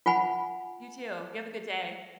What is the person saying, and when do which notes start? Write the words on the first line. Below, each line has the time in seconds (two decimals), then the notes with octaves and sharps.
You, too. You have a good day.
0.06 F4 F#5 G#5 B5